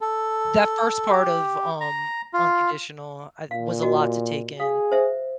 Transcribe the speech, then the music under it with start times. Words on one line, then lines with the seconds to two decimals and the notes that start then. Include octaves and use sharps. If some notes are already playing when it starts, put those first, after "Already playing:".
That first part of, um, unconditional I was a lot to take in.
0.01 A4
1.11 G4
1.81 A#5
2.33 F4
3.51 A#2 F5
3.82 F#4 D#5
4.60 G#4 F5 D#6
4.92 C5 E5